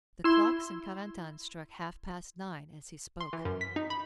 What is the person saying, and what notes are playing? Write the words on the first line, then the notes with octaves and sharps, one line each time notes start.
The clocks in Carentan struck half-past nine as he spoke.
E4 C6
C6
E3
F#2
B6
D#4
B5